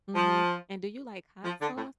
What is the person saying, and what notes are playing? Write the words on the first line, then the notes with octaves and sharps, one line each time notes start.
Mhm, and do you like hot sauce?
F3
F3
D3
A2